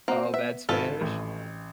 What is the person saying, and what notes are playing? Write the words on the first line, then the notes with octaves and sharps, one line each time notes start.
Oh, bad Spanish?
A#3 C4 F#4
B3 E5
G#1 F4 A4 B4
A1